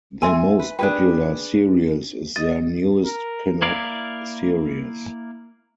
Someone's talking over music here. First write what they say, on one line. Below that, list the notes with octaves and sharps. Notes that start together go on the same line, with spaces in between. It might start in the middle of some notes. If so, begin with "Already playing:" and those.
Their most popular series is their newest Pinup Series.
E5 G#5 C6 E6
B4
D4 G#4 B4 G5
D#5 A6
A#4
A#3 E4 A#4 D5 F5